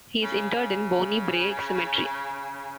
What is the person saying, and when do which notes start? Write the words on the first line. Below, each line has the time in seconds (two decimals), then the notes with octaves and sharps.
He is interred in Bonnie Brae Cemetery.
0.23 C#3
0.51 C#3